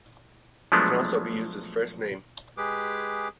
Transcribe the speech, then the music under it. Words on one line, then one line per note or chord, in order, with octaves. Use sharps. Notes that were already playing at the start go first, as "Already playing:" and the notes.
It can also be used as a first name.
F3 F#3 G#3 A3 B3 D4
G#3 G4 G#4 B4 D6